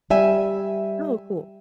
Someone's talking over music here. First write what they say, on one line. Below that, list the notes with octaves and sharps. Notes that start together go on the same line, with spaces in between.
Oh, cool.
G3 E5 G#5